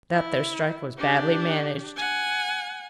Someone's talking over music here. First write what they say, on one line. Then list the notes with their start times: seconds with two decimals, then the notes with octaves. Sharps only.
'That there strike was badly managed.
0.13 E4
0.98 D4 G4
1.96 F#5 G#5